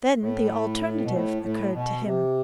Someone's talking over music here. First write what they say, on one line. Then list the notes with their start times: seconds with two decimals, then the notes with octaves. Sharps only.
Then the alternative occurred to him.
0.21 A2
1.02 B2
1.12 A2
1.43 A2
1.74 B2
2.05 C3